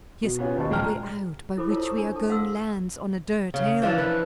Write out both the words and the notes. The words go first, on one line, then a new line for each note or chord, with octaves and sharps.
"Yes; the way out by which we are going lands on a dirt hill."
B2
B3 C#4 F4 G4
D#2 D#3 C5 D#5 A5 C#6
A#2 G#3 G5 A#5 F6
E4 A4 C5 B5 D6
E4 F4 A#4 C5 C#5 A5
A#5 C#6 D#6
D4
A4 A5
B4 F5 F#5 C6 E6
C#3
E3 F3 D4
B4